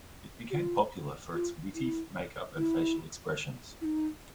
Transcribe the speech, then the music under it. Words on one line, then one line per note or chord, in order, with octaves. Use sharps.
It became popular for its witty makeup and facial expressions.
G4
F4
F4
E4
E4
E4
D#4